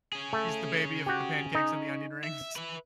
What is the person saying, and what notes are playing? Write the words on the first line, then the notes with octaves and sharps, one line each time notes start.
She's the baby of the pancakes and the onion rings.
C#4 G#4
A3
F#4 G4
D#4
E5
B4 E5